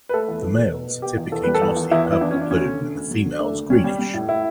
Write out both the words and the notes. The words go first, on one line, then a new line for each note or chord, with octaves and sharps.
The males are typically glossy purple-blue and the females greenish.
B4
A3 A4
E2
A3
B2
B2
B2
B2 G4
E2
E2 A4
G3 B4
A4
E2
E2
E2 E4
E2
E4
E2 D4
C#4
E2 D4
D2 C#4
D3
D3
D2
F#3
D3
A3 D4
D2
G3 C#4
G3
G3
A2
A2 E4